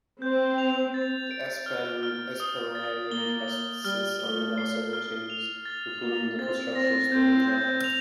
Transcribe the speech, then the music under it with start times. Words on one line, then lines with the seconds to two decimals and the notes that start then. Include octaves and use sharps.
The Esplanade has since undergone several changes, including the construction of Storrow Drive.
0.22 C4 G6
0.58 F7
0.94 A6
1.31 D7
1.66 F6
2.03 F6
2.40 D#6
2.75 A6
3.11 A#3 G7
3.48 G7
3.84 G3 F6
4.20 A3 G7
4.58 C7
4.93 F6
5.30 F7
5.65 A6
6.02 A#3 F7
6.39 C4 A6
6.75 C4 A#6
7.11 C4 G6
7.48 G6
7.84 F7